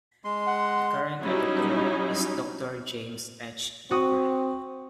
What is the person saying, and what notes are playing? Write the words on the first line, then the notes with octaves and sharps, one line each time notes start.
The current editor is Doctor James H. Ducker.
G#3 C6
F#5
F#3 G3 C#4 D#4 E4
C4 F#4 D#6